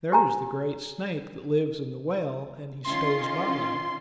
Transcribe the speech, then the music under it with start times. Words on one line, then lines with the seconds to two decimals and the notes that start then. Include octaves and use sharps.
There is the great snake that lives in the well, and he stays by you.
0.12 G4 G#5 A#5
2.85 D#3 C#4 F4 C6